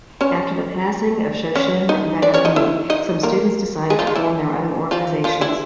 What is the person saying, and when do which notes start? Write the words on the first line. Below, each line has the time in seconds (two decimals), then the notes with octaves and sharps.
After the passing of Shoshin Nagamine, some students decided to form their own organisations.
0.21 C#4 C#5
1.55 C#4 C#5
1.89 D#4 D#5
2.22 D4 D5
2.34 C#4 C#5
2.45 D#4 D#5
2.56 E4 E5
2.90 D#4 D#5
3.23 A#3 A#4
3.90 G#3 G#4
3.99 F3 F4
4.07 D#3 D#4
4.15 E3 E4
4.91 F3 F4
5.24 F3 F4
5.41 E3 E4